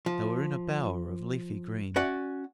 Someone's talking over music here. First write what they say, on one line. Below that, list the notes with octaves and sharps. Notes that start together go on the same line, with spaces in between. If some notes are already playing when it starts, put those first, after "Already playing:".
They were in a bower of leafy green.
F3
C#4 F#4 D5 F#5